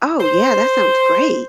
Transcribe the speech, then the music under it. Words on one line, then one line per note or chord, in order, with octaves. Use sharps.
Oh, yeah, that sounds great.
C5